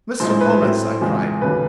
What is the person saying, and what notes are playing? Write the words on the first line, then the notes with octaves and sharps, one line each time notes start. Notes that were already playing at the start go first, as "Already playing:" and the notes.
"Mr. Hollins!" I cried.
A#1 A2 F3 G#3 C5
C5
B4
C5
A2 F#3 A3 C4
E2 C#3 F3 G#3 C4
F1 D#2 C#3 F#3 B4